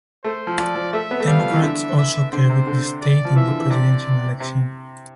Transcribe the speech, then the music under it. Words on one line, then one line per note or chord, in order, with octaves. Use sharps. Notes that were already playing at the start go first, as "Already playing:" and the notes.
Democrats also carried the state in the presidential election.
A3 C5
F3
F3 D5
F3
A3 E5
B3
A3
G3 F5
F3
E3
D3 E5
E5
D3 C5
C3
D3
D5
F3
E3 E5
D3
E3
C3 D5
C3